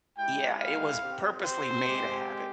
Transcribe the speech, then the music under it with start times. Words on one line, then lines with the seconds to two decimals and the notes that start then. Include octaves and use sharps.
Yeah, it was purposely made a habit.
0.16 G#3 E4 G4 G5
0.59 F5
1.01 C4 G4
1.43 C5
1.85 G#3 C4 G4